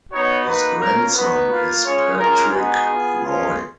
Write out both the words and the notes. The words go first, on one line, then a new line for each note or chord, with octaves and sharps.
His grandson is Patrick Roy.
B3 D#4 F#4 C#5
A#3 D#4 F#4 B4
A#3 C#4 F4 A#4
B3 D#4 F#4 B4
A#3 F4
G#3 C#4 F4 C#5
G#3 C#4 F4 A#4
G#3 B3 D#4 F#4 G#4
B3 F4
G#3 C#4 F4